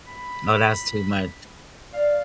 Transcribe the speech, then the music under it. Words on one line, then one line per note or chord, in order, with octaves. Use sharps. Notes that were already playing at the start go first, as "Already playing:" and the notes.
No, that's too much
B5
D5 F5